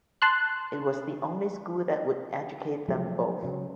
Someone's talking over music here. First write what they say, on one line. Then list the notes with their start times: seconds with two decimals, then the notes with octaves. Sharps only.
It was the only school that would educate them both.
0.22 A5 C6 F#6
2.88 F3 F#3 G#3 A3
3.43 C#3 F#3